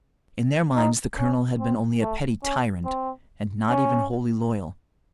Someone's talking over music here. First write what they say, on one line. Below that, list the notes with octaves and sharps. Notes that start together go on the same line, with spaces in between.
In their minds the colonel had been only a petty tyrant, and not even wholly loyal.
D#4
C#4
C4
A3
C#4
C4
C#4